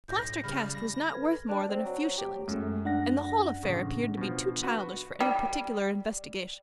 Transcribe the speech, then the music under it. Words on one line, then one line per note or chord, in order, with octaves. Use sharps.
The plaster cast was not worth more than a few shillings, and the whole affair appeared to be too childish for any particular investigation.
B1 A2 G6 A#6
C#3 G3 B5 F6
A#6
A4 B4 G#6
D4
C4
F#3
G4
F#2 G#3 A3
D4 F#5 A#6
A1 C#3
B2 F3
F#4 B4
G3